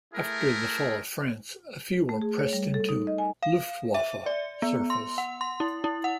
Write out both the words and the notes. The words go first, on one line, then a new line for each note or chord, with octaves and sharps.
After the fall of France, a few were pressed into "Luftwaffe" service.
A3 E4 G#4 A#4
A3
G#4
C#5
G3
A4
D#4
D#5
G#5
F5
E5
D5
B3
C6
F#5
C6
E4
E4
F#5